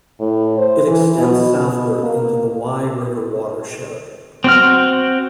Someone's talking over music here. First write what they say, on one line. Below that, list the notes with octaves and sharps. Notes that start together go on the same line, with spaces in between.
It extends southward into the Wye River watershed.
A2
C5
E3
B2
B2
A#3
C4 F#4 F6